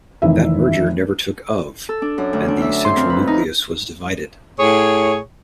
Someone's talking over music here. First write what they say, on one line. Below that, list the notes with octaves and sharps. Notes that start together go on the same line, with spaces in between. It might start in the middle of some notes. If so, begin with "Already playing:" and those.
That merger never took of, and the Central Nucleus was divided.
F1 D#3 E3 D#4 E5
A4
D4
F#2
D2
D4
E5
C6
F2
B4
D#4
A2 G#4 C#5